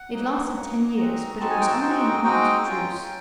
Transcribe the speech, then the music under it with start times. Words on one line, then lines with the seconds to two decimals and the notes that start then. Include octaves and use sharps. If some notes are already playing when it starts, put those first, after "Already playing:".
It lasted ten years, but it was only an armed truce.
Already playing: F#5
0.13 F#3 A#3 D#4
0.55 F#3 A#3 D#4
0.97 G#3 C4 D#4 F#4 A#5
1.39 G#3 C4 D#4 F#4 A5
1.50 G#5
1.61 G5
1.71 A5
1.81 G#3 C4 D#4 F#4 G5
2.24 G#3 C4 D#4 F#4 G5
2.66 G#3 C#4 F4